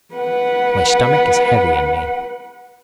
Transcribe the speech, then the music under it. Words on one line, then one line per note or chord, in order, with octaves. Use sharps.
My stomach is heavy in me.
B4 F#5